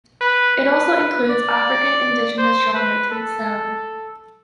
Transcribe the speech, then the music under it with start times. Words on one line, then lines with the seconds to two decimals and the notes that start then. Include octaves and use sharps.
It also includes African Indigenous Genre to its sound.
0.21 B4
0.57 B4
1.30 D5
2.38 C5
2.74 B4
3.11 A4